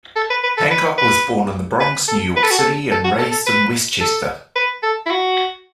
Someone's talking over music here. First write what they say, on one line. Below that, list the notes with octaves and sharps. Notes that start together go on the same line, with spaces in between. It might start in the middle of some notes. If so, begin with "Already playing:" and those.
Hancock was born in the Bronx, New York City and raised in Westchester.
A4
B4
B4
A4
B4
B4
B4
A4
B4
A4
F#4
A4
A4
F#4
A4
A4
B4
A4
B4
A4
E4
F#4